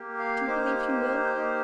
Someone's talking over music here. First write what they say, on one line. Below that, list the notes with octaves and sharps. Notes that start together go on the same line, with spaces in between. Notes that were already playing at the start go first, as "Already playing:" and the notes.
"Do you believe he will?"
Already playing: A#3 G4
F5
A#3 D#4 G4 C5
A#3 D#4 G4